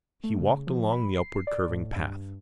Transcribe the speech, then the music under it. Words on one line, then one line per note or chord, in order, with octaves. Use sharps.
He walked along the upwardcurving path.
A3
C#3
F3
B5
C7
D5
A2
G2